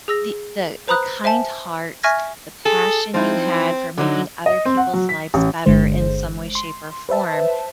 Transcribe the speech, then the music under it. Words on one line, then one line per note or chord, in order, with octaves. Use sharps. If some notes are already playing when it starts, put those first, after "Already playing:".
the the the kind heart, the passion you had for making other people's lives better in some way, shape, or form,
G#4 E6 A#6
B4 C5 A#5 B5 D#6 F#6
C5 E5 G#5 A5
E5 G#5 C#6 F6 G#6 A#6
G#4 A4
F3 C4 D#4 E4
D3 F#3 D#4
D#5
C4
F#5
F#3
B6
A1
G1 D3 G#3 C5
C6
B4 C5 E5 A5